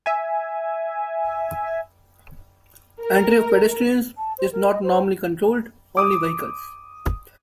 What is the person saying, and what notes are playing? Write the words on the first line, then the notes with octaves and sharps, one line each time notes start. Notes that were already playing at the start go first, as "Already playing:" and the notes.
Entry of pedestrians is not normally controlled, only vehicles.
E5 G#5
A#4
A5
C5
A#4
D#5
C5
D6 D#6